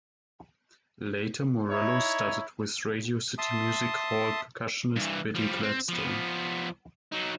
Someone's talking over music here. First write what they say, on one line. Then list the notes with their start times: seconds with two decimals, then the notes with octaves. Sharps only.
Later, Morello studied with Radio City Music Hall percussionist Billy Gladstone.
1.70 D#4 E4 C#5
3.38 E5 A5 C6 D#6
4.96 G2 E3
5.35 F3 G3
5.63 C4
5.89 F3 B3
7.12 F#3 D#4